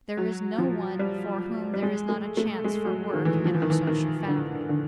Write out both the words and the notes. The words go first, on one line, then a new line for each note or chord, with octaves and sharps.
There is no one for whom there is not a chance for work in our social fabric.
F#3
F3
G3
G3
G#3
A3
A3
G#3
F#3
D#3
E3
F3
E3
D#3
E3
D#3
D3
D3